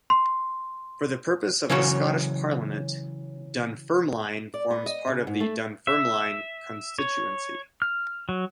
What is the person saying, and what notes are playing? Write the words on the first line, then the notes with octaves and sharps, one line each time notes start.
For the purposes of the Scottish Parliament, Dunfermline forms part of the Dunfermline constituency.
C6
C#3 E3 F#3 C#4 C#5
D5
B3
D#5
C#3
G#2
A3
E5
C#5
F6
F#3